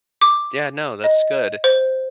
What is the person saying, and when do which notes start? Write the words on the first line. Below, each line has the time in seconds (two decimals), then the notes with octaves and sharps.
Yeah, no, that's good.
0.22 D6
1.04 D#5
1.64 C5